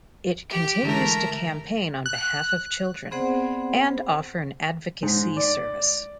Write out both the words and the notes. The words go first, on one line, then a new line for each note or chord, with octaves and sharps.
It continues to campaign on behalf of children, and offer an advocacy service.
G4
D3 E3 G#3 A3 A#4
F#6
B3 C4 G#4 C5 D5 F#5
G#2
D5